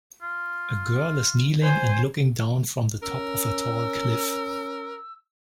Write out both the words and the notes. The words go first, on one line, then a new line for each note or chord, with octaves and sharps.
A girl is kneeling and looking down from the top of a tall cliff.
F4
C5 G#5
C#4 A#4 E6